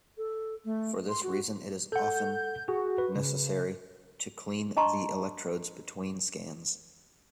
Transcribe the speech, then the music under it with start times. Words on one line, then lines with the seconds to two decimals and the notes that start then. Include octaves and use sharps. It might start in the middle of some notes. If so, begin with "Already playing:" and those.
For this reason it is often necessary to clean the electrodes between scans.
0.18 A4
0.65 A3
1.09 C6
1.23 F#4
1.92 A4 F#5 G6
2.68 F#4 G#4
2.98 B4
3.16 C#3
4.76 D4 D#5 A5 A#5 C6 C#6